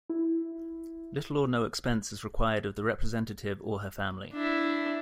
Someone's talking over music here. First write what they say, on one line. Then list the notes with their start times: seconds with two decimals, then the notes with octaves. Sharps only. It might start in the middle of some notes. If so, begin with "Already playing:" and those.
Little or no expense is required of the representative or her family.
0.10 E4
4.34 D4 E4